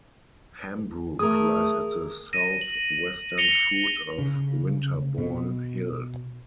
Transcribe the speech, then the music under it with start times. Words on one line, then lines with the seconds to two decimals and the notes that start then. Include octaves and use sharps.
Hambrook lies at the south-western foot of Winterbourne Hill.
1.19 A3 G#4 A#4 D#6
2.33 A#6 D#7
2.61 F#7
3.38 A#6 C#7 F7 G7
4.18 C#3
5.18 B2